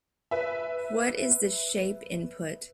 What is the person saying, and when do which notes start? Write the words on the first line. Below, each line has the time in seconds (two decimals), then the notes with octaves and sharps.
What is the shape input?
0.31 B4 E5